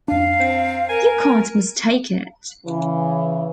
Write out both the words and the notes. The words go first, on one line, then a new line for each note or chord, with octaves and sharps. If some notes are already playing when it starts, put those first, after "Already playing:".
You can’t mistake it.
F2 D4 F5
C4
A#4 G#5
C#3 E3